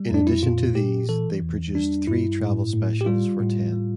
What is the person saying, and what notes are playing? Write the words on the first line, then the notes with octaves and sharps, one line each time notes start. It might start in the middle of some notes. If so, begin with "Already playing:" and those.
In addition to these, they produced three travel specials for Ten.
Already playing: G3
F2 D4
E4
A#2 F4
A#2 G4
E3 A4
E2
G3 D4
G2 E4
A2
A2
G4
G3 F4
A2
G3